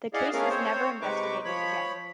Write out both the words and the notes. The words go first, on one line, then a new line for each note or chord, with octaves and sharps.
The case was never investigated again.
E4 G#4 D5 D#5 F5 F#5
A3 B3 C#4 G#4 A#4 F5
C4 C5 C#5
C3 G#3 D#4 B4 C#6 D6
F3 C#5 B5